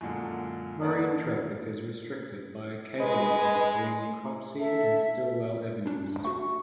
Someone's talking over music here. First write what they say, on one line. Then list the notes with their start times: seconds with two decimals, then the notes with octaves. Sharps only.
Marine traffic is restricted by a cable net between Cropsey and Stillwell Avenues.
0.01 F#2 A#2 D3 G#3
0.80 A#3 D4 A4 B4 D5 F#5
3.00 G#3 B4 D#5
4.60 A4 E5
5.86 C#4 D4
6.24 A3 F#4 C#6